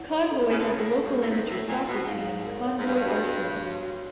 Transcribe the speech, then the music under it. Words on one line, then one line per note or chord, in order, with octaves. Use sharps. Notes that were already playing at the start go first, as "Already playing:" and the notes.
Convoy has a local amateur soccer team, Convoy Arsenal.
Already playing: E4 C#5 F#5
C#5
A4
C#3 E4
D3
C#3
A4
A2
A4
G2
A4
A2
G#2 E4
A2 E4
A#2 E4
B2 E4
G#2 F5
C#5
A#4
C#5
G#2
G2 F5
F#4
F#4
C#5
F#4
F#4